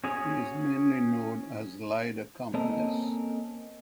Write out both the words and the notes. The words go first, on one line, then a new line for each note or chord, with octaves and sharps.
He is mainly known as Lied accompanist.
C#4 F#4 G#4 C#5
A#3 C4 C#4 A4 A#4 D#5